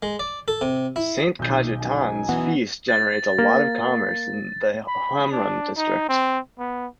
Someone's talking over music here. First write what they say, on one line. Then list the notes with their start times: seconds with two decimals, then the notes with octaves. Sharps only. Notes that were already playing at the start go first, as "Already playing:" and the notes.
Saint Cajetan's feast generates a lot of commerce in the Hamrun district.
0.03 G#3
0.19 D5
0.48 A4
0.61 C3
0.96 E4
1.39 B1 D#3 G6
1.78 F#2 D#4 G#5
2.29 E3 B3 F#4
2.89 A6
3.38 A#3
4.87 B5
5.32 D4
5.77 D#4
6.09 C4
6.58 B3